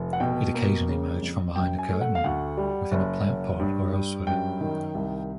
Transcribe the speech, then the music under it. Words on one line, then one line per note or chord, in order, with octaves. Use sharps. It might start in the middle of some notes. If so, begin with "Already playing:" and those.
It occasionally emerged from behind a curtain, within a plant pot, or elsewhere.
Already playing: F1
F#5
B2 G5
A#3
C#3
F2
F#2 G5
G#5
A3
F#5
F5
D2 F#5
G3
F#1
F#1
G2
G2
F#2 G5
D#3
C2